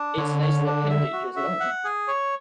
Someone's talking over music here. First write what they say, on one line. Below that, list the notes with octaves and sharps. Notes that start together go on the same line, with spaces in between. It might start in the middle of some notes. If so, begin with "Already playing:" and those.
Its nasal appendage is long.
Already playing: D4
D3 C#5
C#5
D4
E5
F#4
E5
F#5
G#4
C#5